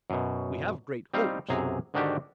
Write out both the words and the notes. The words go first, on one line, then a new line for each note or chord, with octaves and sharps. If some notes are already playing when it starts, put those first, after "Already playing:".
"We have great hopes."
F#2 B2
G3 C4 D#4 F5
B1 F#2 C3 G#4 A#5
G#2 D3 D#3 D4 F#4 G4